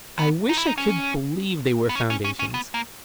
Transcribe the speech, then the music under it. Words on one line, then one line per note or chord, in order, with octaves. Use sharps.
"I wish I could believe they were foundations."
B3
D#4
E4
D#4
C#4
B3
C#4
C#4
C#4
C#4
B3
A#3